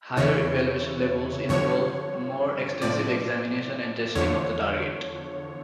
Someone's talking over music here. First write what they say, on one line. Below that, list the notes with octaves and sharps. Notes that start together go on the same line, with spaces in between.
Higher evaluation levels involve more extensive examination and testing of the target.
E2 C#3 E3 C#5
G2 D3 F3 C#5
A2 F3 D5
E2 D3 F3 C#5